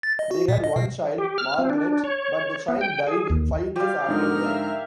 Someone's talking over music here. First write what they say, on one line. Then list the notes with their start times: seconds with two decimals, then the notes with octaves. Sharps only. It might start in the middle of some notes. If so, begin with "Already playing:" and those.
They had one child, Margaret, but the child died five days after birth.
0.03 A6
0.19 D#5
0.31 F#4
0.48 A#2
0.64 D#5
0.76 B2
1.18 G4
1.38 F6
1.58 C4
1.70 D4
2.04 C#5
2.68 B3
2.81 G5
3.07 G#4
3.30 D#2
3.76 G3 F4 G4 D5 F5
4.08 G#2 D3 F3 D#4 F#4 A#4 A#5 F6
4.41 E5 F5